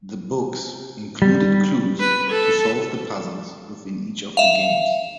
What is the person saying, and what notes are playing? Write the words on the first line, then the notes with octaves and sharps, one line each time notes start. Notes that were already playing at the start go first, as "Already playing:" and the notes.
The books included clues to solve the puzzles within each of the games.
G3
B4
A4
E5 F5